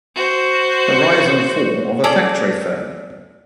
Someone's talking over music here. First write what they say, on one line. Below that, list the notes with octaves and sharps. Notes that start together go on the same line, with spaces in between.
The Rise and Fall of a Factory Firm.
F#4 C5
C#4 G#4 A4 D5